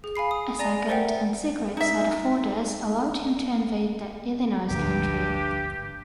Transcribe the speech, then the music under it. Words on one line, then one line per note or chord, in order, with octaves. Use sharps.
A second, and secret, set of orders allowed him to invade the Illinois Country.
G#4
F5 G#5 B5 C7
D#6
D5 G#5 A#5 A#6
A#4 C5 D5 E5 F#5 G5
D#4 E5
G#1 D2 G2 F3 G4